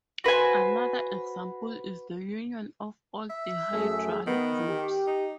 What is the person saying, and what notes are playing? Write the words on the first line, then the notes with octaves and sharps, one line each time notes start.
Another example is the union of all dihedral groups.
F#4 B4 C5 G#5
E5
F#2 A3 G#4
D#3 B3
G4
D#4